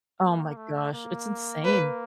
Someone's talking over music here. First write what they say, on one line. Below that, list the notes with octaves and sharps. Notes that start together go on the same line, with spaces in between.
Oh my gosh. It's insane.
A#3
A3
A#3
B4